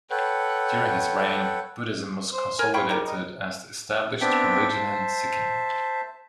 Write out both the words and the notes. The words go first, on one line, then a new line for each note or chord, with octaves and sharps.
During his reign Buddhism was consolidated as the established religion in Sikkim.
A4 B4 C#5 F#5 G5
C5
A#4 G#5
F4 G5 B5 C#6
D#3 G3 A#4
D#4
B3 C4 D4 E5 G5
C5 E5 A5